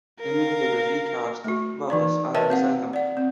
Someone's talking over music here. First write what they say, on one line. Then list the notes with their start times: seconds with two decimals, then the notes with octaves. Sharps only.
The movie was re-cast with Willis and Basinger.
0.20 A#4 F5
1.44 A3 F#4
1.90 E3 D#4 D5
2.35 A#4 B4 C#5 D#5 E5 A5
2.50 C4 F5 F#5
2.93 D5 F#5
3.17 C4